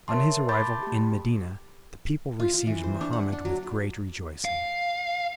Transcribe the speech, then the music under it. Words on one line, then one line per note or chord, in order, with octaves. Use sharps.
On his arrival in Medina the people received Mohammed with great rejoicing.
A#4 C#5 E5 A5 C6
A5 B5 C6 D6 G6 A6
A3 G4
F4
F4
E3
C5
D4
F#5
D4
F#3
F5